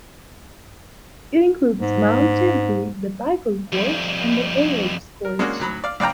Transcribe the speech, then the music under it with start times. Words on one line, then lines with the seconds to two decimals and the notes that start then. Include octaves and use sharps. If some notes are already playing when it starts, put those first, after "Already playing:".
It includes Mount Tymfi, the Vikos Gorge and the Aoos Gorge.
1.81 G#2
3.72 F2 G3
5.25 A#4
5.39 G#3 A#3 C#4 D4 F#4 G#4
5.60 D2 F#3 B5
5.84 D5 F5
6.00 C#2 D5 F5 G5 A#5